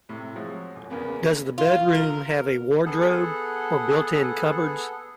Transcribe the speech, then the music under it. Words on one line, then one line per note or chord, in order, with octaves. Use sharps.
Does the bedroom have a wardrobe, or built-in cupboards?
A2 C3
F3 F#3 G#3 F#4
D1
E2 C#3 A#3 B3
F4
A#4
B3 G#4 A4 F#5